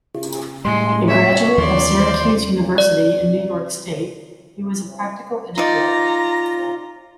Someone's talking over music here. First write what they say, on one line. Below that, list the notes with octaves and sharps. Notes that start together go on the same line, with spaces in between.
A graduate of Syracuse University in New York state, he was a practical educator.
A2 G3 G#3 C6
C#5 E5
D#2 E3 F#3 D5 C6
C5
D5
D#4 F4 D5 A#5